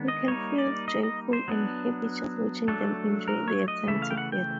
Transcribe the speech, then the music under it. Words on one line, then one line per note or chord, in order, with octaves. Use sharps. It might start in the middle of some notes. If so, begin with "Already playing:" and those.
You can feel joyful and happy just watching them enjoy their time together.
Already playing: D#3 G#3 B3 D4
D#5
G3 A#3 D#4 C#5
D5
D#5
D#5
C5
F#3 B3 D4
F#3 A3 D4 A4
A#4
C#5
D#5
C#3 E3 A3 E5
F5
G5
F#5
G5